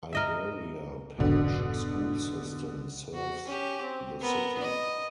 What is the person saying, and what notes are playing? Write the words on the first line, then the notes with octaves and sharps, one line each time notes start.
Iberia Parish School System serves the city.
A#4 D#5 E5
F1 B1 G#2 B2 D3
F#4
C#4 G4
C4
B3 A#4
D#5